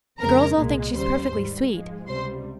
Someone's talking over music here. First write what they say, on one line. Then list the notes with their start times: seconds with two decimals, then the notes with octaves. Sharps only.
The girls all think she is perfectly sweet.
0.19 F2 C#3 G#3 A#4 A#5
0.57 C2 A#2 G#3
0.94 D#2 C#3 G3 C5 C6
1.32 G#2 G3
1.70 G#2 F3 G#3
2.07 C#2 C3 G3 C5 C6